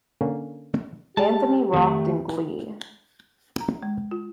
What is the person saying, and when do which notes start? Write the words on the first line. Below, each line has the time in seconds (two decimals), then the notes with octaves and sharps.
Anthony rocked in glee.
0.21 D3 A#3 C#4
1.17 G#3 G4 A5
1.74 F2 D#3 A3
3.60 A#5
3.83 G#3
4.11 F4